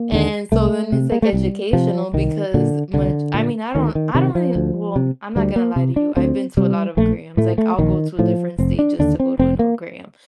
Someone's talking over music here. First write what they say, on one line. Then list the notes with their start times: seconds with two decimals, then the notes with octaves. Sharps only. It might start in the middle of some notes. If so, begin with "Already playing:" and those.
and so then it's like educational because much I mean, I don't I don't really well, I'm not gonna lie to you. I've been to a lot of aquariums, like I'll go to a different state just to go to a new aquarium,
Already playing: A#3
0.12 D#2 D3
0.52 C2 A3
0.92 C3
1.12 A#3
1.22 A3
1.33 C2 G3
1.73 C3 F3
2.13 C2 D#3
2.54 A#2 D3
2.94 C2 D3
3.34 A#2
3.75 D2 D#3
3.95 D#3
4.15 C3 D#3
4.35 F3
4.56 D2
4.96 C3
5.36 D2 G3
5.56 A#3
5.76 C3
5.96 D4
6.17 D2 C4
6.57 C3 G3
6.97 A#1 A3
7.37 A2 A3
7.58 A3
7.79 A#1 D#3
8.19 A2 F3
8.59 F1 C4
8.79 D4
8.99 D#2 D3 D4
9.20 C4
9.39 F1 C4
9.59 A#3